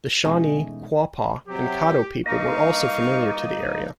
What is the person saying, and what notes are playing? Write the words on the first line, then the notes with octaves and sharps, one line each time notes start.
The Shawnee, Quapaw, and Caddo people were also familiar to the area.
E2 B2 G#3 A3 C#4 D#4 F5 G#5
C3 F#3 G4
G2 A#3 D#4 A#4 D#5 F5 C#6